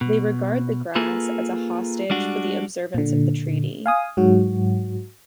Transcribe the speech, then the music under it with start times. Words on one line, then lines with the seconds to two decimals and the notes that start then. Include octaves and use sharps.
They regard the grass as a hostage for the observance of the treaty.
0.01 B2
0.95 A#3 F4 G#4 A4 B4
2.10 G3 G#3 D4 F#4
2.95 A#2 D3
3.86 F5 G#5 D#6
4.17 G#2 F#3 F#4